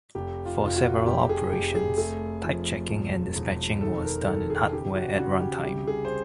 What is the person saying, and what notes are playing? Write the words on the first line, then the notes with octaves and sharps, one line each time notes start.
For several operations, type checking and dispatching was done in hardware at runtime.
F1 G4
F4
F1 F4
F#4
F1 G4
G#4
F1 G4
G#4
A3 G#4
F3
E1
E1
D#3 A4
A#4
D#3 A4
G#4
C#3 G4
F#4
C#3 F#4
G4
C2 G4
G#4
C5